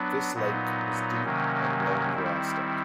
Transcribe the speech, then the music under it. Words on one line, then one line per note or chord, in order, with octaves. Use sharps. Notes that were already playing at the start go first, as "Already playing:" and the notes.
This lake was deep and long lasting.
Already playing: F#3 B3 D4
A#2 F#3 B3 D#4
C3 D#3 F#3 A#3 C#4
D#3 G3 C4 E4